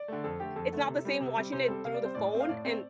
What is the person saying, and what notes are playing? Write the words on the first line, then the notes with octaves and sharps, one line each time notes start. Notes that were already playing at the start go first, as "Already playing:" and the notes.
it's not the same watching it through the phone and
Already playing: D5
D3 A3
F2 A4
D3 A3 G4
F2 A4
D3 A3
C3
G3 C4
C3
G3 C4
C3 C5
G3 C4 A4
C3 F5
D5
G3 C4 C5
A2 D5
A3 C4
F5
A2 D5
A3 C4